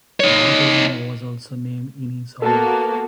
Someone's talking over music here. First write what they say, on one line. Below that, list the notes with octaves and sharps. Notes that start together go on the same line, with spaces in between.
Mount Llano was also named in his honor.
D#4 C#5
A#3 B3 F#4 A4 A5